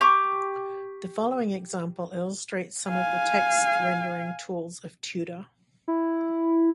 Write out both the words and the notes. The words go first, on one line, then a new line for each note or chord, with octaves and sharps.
The following example illustrates some of the text rendering tools of Tutor.
G4 C#6 D6
F5 G#5
E4